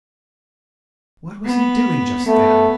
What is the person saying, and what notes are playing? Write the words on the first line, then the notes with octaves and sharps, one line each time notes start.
What was he doing just then?
B3
A3 B3